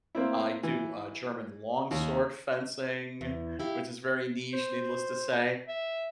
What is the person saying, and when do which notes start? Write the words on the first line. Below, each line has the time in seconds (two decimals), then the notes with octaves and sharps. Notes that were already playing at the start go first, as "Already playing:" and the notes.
I do, uh, German longsword fencing, which is very niche, needless to say,
0.15 A#3 C4 E4
0.63 E3
1.91 D#2
3.21 E2
3.60 E4 G4 F5
4.53 C5
5.68 E5